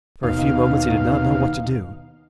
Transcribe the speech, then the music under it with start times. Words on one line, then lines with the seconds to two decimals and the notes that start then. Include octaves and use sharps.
For a few moments he did not know what to do.
0.23 D#2 B2 D#4 F5